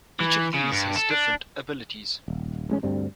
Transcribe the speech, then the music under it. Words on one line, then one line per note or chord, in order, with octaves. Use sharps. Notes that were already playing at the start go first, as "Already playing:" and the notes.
Each of these has different abilities.
E3
C#3
G2
A4
D4
D#1
A1 G#3 C#4
D2 G2 G3 C4